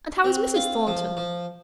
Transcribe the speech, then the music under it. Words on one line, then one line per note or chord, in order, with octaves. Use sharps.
And how is Mrs. Thornton?
C4
F4
F3
F3